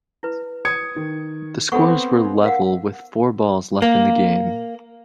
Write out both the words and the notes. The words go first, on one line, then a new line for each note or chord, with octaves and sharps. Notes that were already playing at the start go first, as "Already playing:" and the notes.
The scores were level with four balls left in the game.
E4 B4
D#6 G#6 C#7
D#3
B3 C4 A4 F#5 C#6
D#4
A#4 F5 F#5
A#3